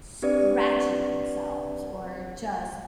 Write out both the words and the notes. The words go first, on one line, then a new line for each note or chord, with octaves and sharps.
scratching themselves or just,
C4 D4 G4 B4 D5